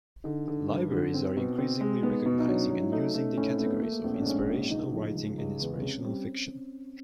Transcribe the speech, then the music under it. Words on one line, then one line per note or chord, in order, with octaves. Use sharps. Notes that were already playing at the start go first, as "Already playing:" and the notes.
Libraries are increasingly recognizing and using the categories of inspirational writing and inspirational fiction.
D3 D#4
D3
G2
D3
C4
B2
C4
G#3
B3 D#4
B2
D#4
F#3 D4
C#4
F#3
E4
A3 D#4
A3 C#4
A2 C#4
C4
A3
B3
A3 A#3
A#3
A#1 C4
C#4
D4
G#2 C#4
A#1
C#2 D#4
F3
C#2
C#2
E2
C3 C#4
G3 C4